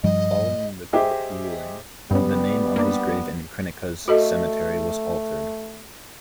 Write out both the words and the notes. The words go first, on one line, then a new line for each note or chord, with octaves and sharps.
Following the court ruling, the name on his grave in Krynica's cemetery was altered.
G2 F3 G3 D#5
G4 G#4 C5 D#5 E5
G2 C#3 G3 B3
A#3 D4
A3 F#4 A4 D#5